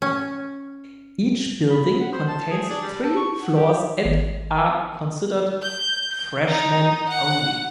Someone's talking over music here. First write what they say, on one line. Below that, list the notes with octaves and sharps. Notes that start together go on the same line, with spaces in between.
Each building contains three floors and are considered freshmen-only.
C#4
B5
F#5
C5
A5
G#4
D4
G3
A4
C#6
F#5
G4
G#1
G6
D#4
F#5